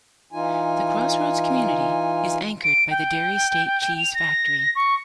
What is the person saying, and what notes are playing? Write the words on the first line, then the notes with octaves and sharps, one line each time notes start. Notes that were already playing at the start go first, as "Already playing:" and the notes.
The crossroads community is anchored by the Dairy State Cheese factory.
E3 D#4 F4 G#5
D7
G5
F7
A#6
C#6